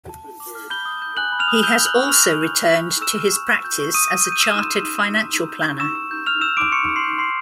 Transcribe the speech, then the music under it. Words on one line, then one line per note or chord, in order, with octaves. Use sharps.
He has also returned to his practice as a chartered financial planner.
A5
A5
D6
F6
B5 G6 G7
D#6
G6
G#5 F#6 F#7
B5
F6 F7
D#6
E6 G6 G7
G6
F#6 F#7
C#6
C#6 F6 F7
E6
G6
F6
C#6
F6
C#6 E6 E7
F6
C#6
E6
G6
C#6
C#6 D#6 D#7
E6
G6
D#7
E6 F6 E7
C6
F6
C6
F6
C6
E6
G6
C#6
C#6 E6 E7
E6
G6
E6 F6 F7
E6 G6 E7
C6 D6 D7
C6 C#6 C#7
E6
C6 C7
G6
C6 C7